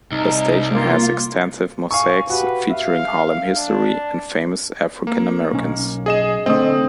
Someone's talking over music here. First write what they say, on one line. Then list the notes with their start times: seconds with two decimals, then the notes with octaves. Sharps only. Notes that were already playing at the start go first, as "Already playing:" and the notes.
The station has extensive mosaics featuring Harlem history and famous African-Americans.
0.12 C2 D#4
0.75 A#3 F4
1.91 F5 G#5 C#6
2.30 F#4 G4 B4
2.70 E5 F5
3.56 D4
5.07 A#3
5.53 B1 C#4
6.06 G#4 D#5 E7
6.46 D3 A3 C4 D#5 D#6